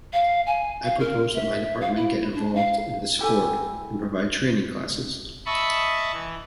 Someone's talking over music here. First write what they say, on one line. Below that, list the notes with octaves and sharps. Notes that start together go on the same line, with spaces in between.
I propose that my department get involved in this sport and provide training classes.
F5
G#5
F5
A#4
E5
F5
E4
D4
F5
E4 G4 A4 G#5
D#5 E5 A5 B5 C#6
E3